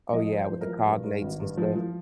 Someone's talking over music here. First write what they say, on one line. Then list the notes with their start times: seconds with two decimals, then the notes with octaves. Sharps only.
Oh, yeah, with the cognates and stuff.
0.13 F3 D#5
0.31 G2
0.38 C5
0.49 F3
0.61 A#4
0.67 F3
0.85 G2
1.03 G2
1.22 G#1
1.40 G2
1.57 F3
1.75 F3